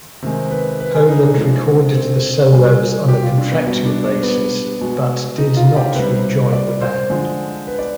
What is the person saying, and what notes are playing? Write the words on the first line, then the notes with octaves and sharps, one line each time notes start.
Poland recorded the solos on a contractual basis, but did not re-join the band.
C3 D#3 G#3
B4
B4
G#4
D#4
D4
C3 F3 G#3
C4
B2 G3 G#4
G4
F4
D4
B3
B2 G3 B3
D4
D4
B3
B2 G#3
D#4
F4
G4
C3 G3 B4
D5
C5
D3 F3 G#3
B4
D5